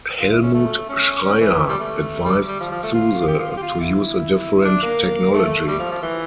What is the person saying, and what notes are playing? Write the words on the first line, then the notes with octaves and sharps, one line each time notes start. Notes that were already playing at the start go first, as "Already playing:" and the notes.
Helmut Schreyer advised Zuse to use a different technology.
F4
E4
C#4
A3
C#4
C#4
E3
G3
A3
G3
G3
F3
F3
A3
F4
F4
G4
F4
F4
G4
F4
E4
D4
A#3
A3
G3
F3
F3
E3